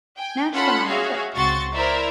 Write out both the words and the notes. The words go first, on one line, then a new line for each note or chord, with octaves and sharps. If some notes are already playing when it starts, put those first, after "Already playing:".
Nash went on the trip.
G5 G#5
C#4 F4 A4 F#5 B5 C6
F#4 G#4 C#5 E5 F5
C#2 C4 F#4 C6 C#6 A6
E4 A#4 C5 D5 E5